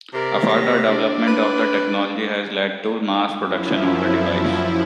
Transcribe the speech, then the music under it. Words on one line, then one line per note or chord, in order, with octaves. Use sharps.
A further development of the technology has led to mass production of the device.
C3 A#4 D5
A#6
D4 D5
B4
F#2 F3 E4